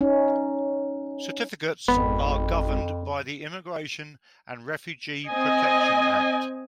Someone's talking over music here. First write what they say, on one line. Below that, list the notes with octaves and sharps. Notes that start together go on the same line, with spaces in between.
Certificates are governed by the "Immigration and Refugee Protection Act".
C#4 D#4
G#1 F2 B3 B5
C4 D#5 G#5